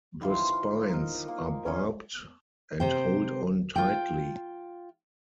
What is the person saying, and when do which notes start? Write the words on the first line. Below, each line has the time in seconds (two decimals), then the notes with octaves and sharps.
The spines are barbed, and hold on tightly.
0.21 D#3 E3 F4 C5
0.52 A#4
0.89 D#4 A#4
1.28 A#3
1.66 C#4 A#4 D#5
2.80 C3 C5 G5
3.76 F4 G5